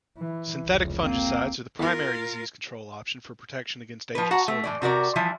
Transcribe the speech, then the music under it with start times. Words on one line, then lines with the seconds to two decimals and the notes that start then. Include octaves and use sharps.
Synthetic fungicides are the primary disease control option for protection against Asian soybean rust.
0.18 E3
0.66 F1 C#2
1.03 A#3 C4
1.80 E2 F4 A#4 F#5
4.15 F3 B4
4.31 F#4 F#5 A#5
4.48 A3
4.64 A2 E3 D5
4.82 C3 F#4 A#4 D5
5.16 E3 F3 G3 E4